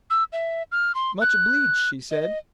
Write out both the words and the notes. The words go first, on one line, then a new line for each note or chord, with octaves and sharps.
"Much obleeged," she said.
E6
E5
F6
C6
F#6
D#5